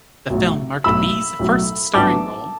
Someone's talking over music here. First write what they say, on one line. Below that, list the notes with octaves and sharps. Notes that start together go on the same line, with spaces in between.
The film marked Bee's first starring role.
B1 A2 F#3
B1 A2 F#3 B5 E6
B1 A2 F#3
A1 A2 F#3 B3 D4 A5 D6